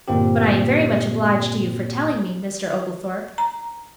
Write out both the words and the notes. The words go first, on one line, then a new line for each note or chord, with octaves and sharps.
"But I am very much obliged to you for telling me, Mr. Oglethorpe."
G1 A#2 A#3 C4 G4
A#5